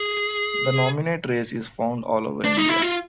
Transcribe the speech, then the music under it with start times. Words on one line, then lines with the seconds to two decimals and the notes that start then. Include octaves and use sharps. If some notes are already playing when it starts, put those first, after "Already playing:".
The nominate race is found all over India.
Already playing: G#4
2.45 D4
2.57 D#4
2.69 E4
2.82 F4